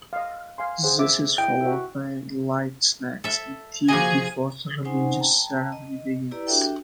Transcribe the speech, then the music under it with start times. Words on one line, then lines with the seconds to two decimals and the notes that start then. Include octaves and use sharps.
This is followed by light snacks and tea before the religious ceremony begins.
0.13 D#5 F5
0.58 F5 G#5 C6
0.83 G#4 C5 F#5
0.99 E5 D6
1.38 E4 D#5 G5
1.61 F#4 E5
3.24 A4 E5
3.88 F3 A#3 F#4 G#4 D#5 G#5 G#6
4.85 C4 C#4 D#4 C5 F#5 G#5
5.20 G5 A5 A#5
5.72 D#5
6.31 E4 G4 B4 D5 A#5
6.47 D4 F#4 G4 A4 E5 G5